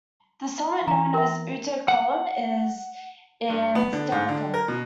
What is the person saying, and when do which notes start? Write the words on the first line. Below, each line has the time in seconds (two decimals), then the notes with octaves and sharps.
The summit, known as Uto Kulm, is in Stallikon.
0.88 E3 A#5
1.14 A#4 E5
1.88 F#5
3.50 G2
3.75 B3
3.93 D3
4.12 G#2
4.29 D3
4.54 A#4
4.68 B2